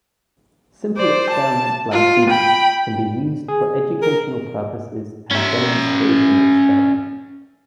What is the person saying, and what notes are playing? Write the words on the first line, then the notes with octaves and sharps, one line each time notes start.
Simple experiments like these can be used for educational purposes and demonstration experiments.
C5 D5
A5
F4
G5 B5
G#4
A#4
C#4 E5